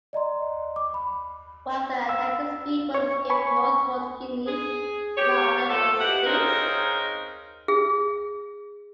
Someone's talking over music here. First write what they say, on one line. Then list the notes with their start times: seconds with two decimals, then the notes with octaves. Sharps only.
One of the attacking speedboats escaped north towards Guinea, while the other was seized.
0.13 D5 D#5 A#5 C6
0.76 D6
0.94 B5
2.09 F5 E6
2.95 C#5
3.30 G#5 B5 C#6
4.47 G#4
5.17 G4 C#5
5.69 F3 A3 A4
6.00 B2 E4 G4 F#5
6.26 C#3 G#3 C4 D#4 A#4
7.68 G#4